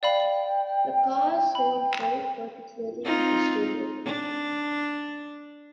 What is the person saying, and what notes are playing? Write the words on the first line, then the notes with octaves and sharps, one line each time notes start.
The car sold well, particularly in Australia.
D5 F5 G5 B5
B5
C4 D#4 F4
D4